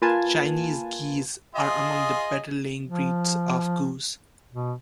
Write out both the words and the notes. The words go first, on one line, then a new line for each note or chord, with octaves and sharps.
Chinese geese are among the better laying breeds of goose.
A#3 F4 B4 G#5 A5
F4 G#4 D#5
F3
B2